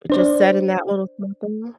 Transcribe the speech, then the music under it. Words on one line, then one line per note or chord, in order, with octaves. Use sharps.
uh, just said in that little something there.
D4 C5 D5